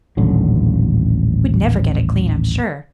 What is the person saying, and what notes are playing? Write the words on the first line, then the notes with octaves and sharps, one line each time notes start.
"We'd never get it clean, I'm sure."
D#1 A1 D3 F#3